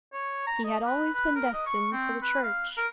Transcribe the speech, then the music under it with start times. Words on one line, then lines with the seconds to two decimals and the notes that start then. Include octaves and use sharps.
He had always been destined for the church.
0.13 C#5
0.47 A#5
0.64 D#5
0.85 B4
1.14 B4
1.35 A#4
1.53 D#5
1.66 C#6
1.92 C4
2.22 B4
2.43 F5
2.77 A#4